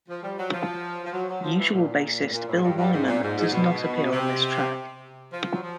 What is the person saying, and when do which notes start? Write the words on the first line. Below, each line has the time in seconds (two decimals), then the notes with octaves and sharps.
Usual bassist Bill Wyman does not appear on this track.
0.09 F3
0.23 G3
0.39 F#3
0.53 F3
1.05 F3
1.13 F#3
1.29 F#3
1.43 F3
1.58 E3
1.74 A#2
2.22 A2
2.33 A#2
2.47 A2
2.57 G#2
2.63 G2
2.78 G2
2.92 G#2
3.07 A#2
3.22 G#2
3.38 G#2
3.52 B2
4.12 C3
5.33 F3
5.54 F#3
5.63 F3